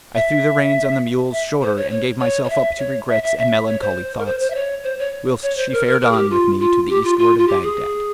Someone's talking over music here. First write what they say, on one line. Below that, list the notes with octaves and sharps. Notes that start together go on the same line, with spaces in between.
I threw the reins on the mule's shoulders and gave myself up to regrets and melancholy thoughts, whilst she fared on with me to the eastward of Baghdad.
E5
E5
C5
C#5
C#5
C#5
C#5
E5
C#5
E5
E5
E5
C#5
C5
A#4
C5
C5
E5
C#5
C5
C#5
C#5
C5
A#4
A#4
A#4
G#4
G4
F4
F4
G4
F4
F4
F4
G4
G#4